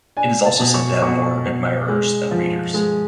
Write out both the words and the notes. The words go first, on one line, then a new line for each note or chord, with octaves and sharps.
It is also said to have more admirers than readers.
D4 G#5
A5
B2
C#6
B2 C#6
B2
G#3
F3
G#3